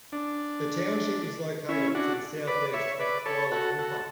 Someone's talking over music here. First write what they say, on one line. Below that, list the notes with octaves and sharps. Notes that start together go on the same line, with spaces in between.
The township is located to the south-east of Kuala Lumpur.
D4
C#4 E4
D4 F#4
B4 D5
C#5 E5
B4 D5
A4 C#5
F#4 A4
F#4 A4